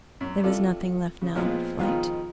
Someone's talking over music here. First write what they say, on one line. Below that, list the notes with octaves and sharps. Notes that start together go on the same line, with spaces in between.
There was nothing left now but flight.
F#2
C3 F4 A4 D5
C#3
A#2 F3 G#3 B3 C4 F4
B2 D#3 F3 G#3 F4